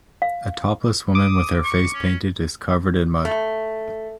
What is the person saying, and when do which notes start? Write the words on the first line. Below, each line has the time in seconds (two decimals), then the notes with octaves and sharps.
A topless woman with her face painted is covered in mud.
0.22 F5
1.15 D6 D#6
1.64 C#6
1.94 C#4
3.25 A3